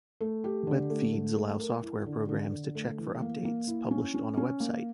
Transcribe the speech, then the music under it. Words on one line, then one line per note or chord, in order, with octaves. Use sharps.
Web feeds allow software programs to check for updates published on a website.
A3
G4
D3
A3
A3
A3
A#4
E4
D3
D3
D3
A3
E3
A#3
A#3
E4
C#4
C#4
C#4
A#3